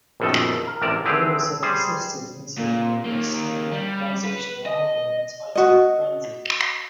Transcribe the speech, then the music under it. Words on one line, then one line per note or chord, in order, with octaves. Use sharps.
Rumors have persisted concerning the release of an improvisational album entitled "Frenzy".
A#1 F#2 B2 D#3 A4
A#4
A1 C3 A#4 D5 A5 A#5
D3 E3 C4 G4 G#4
G3 G#4 C5
A#2
D#3 A#3
G3
B4
D#5
F#4 D#5